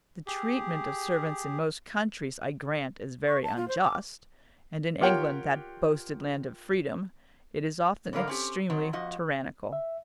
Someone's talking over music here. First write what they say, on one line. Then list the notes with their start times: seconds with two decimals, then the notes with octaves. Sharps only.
The treatment of servants in most countries, I grant, is very unjust, and in England, that boasted land of freedom, it is often extremely tyrannical.
0.27 G4 G#4
3.28 C#6
3.43 A5
3.56 F4
3.68 C5
3.80 D6
5.01 F4 G4 A#4 C#5 F#5 G5
8.13 G#2 D3 G3 A#4 F5
8.28 C4 C#4 G4
8.70 D#3 F#3 C4
8.93 F2 F3 F#4 D#5
9.73 E5